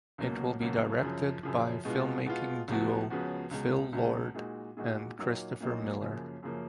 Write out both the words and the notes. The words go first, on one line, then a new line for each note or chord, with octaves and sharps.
It will be directed by filmmaking duo Phil Lord and Christopher Miller.
C#2 B2 F#3 A#3
C#2 B2 F#3 A#3
F#2 C#3 F3
F#2 C#3 F3
B2 G#3 B3 F4
B2 G#3 B3 F4
C#2 C#3 F3 B3 F#4
C#2 C#3 F3 B3 F#4
C#2 B2 G#3
C#2 B2 G#3
A#2 G#3 D#4 F#4
A#2 G#3 D#4 F#4
A#2 F#3 A#3 D#4
A#2 F#3 A#3 D#4
F#2 C#3 F3 A#3
F#2 C#3 F3 A#3